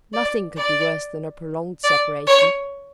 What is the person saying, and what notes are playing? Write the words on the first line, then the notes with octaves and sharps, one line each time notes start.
Nothing could be worse than a prolonged separation.
D5
D5
D5
C#5